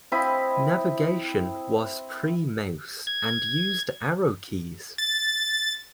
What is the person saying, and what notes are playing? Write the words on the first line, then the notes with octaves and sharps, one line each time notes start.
Navigation was pre-mouse and used arrow keys.
C4 E4 D#5 B5
G#6
A6